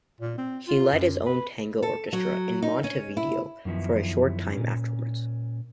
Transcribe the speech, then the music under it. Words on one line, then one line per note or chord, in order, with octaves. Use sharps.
He led his own tango orchestra in Montevideo for a short time afterwards.
A#2
C4
F4
F#2
B4
A4
F#3
D#4
C#4
E4
F#2 D#3 F3 B3 E4
A#2 C#4